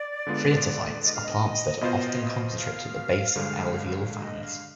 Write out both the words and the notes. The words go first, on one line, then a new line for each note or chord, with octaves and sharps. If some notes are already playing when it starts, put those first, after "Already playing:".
Phreatophytes are plants that are often concentrated at the base of alluvial fans.
Already playing: D5
D3 G#3 B3 F4
D#5
F5
D#5
B2 B3 F4 C5
F5
G2 D3 G#3
D#5
F5